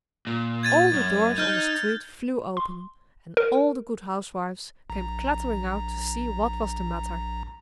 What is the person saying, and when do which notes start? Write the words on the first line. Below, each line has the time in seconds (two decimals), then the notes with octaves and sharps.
All the doors on the street flew open, and all the good housewives came clattering out to see what was the matter.
0.27 A#2
0.63 G#6 A6 D#7
0.94 F#2
1.38 D#4 F6 G6
2.57 C6
3.37 A#4
4.90 A#1 A#5